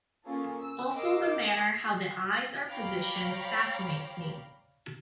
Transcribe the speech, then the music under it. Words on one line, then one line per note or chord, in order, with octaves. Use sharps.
Also the manner how the eyes are positioned fascinates me.
A#3 C#4 F4 G#4 A4
E6
A#4 D#5 D6 E6 C7
D6
C#5 D5 F5 G5 A#5 B5